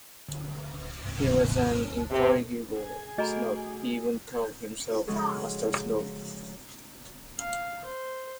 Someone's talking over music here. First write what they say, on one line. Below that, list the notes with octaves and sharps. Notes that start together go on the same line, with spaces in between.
He was an incorrigible snob; he even called himself Master Snob.
C3
G#4 G#5
A3 F#4 A4 D#5 A#5 B5 D7
C#3 F3 G#3 F#4 G#4 A4
F5
C5